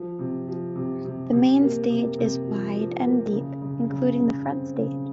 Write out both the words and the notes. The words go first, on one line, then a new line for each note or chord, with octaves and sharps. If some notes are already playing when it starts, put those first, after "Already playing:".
The main stage is wide and deep including the front stage.
Already playing: F3
C3
F3
C3
C3
C3
A#3
C3
C3
F3
F3
A#3
C#3
C#3
C#3
C#3
C4
C#3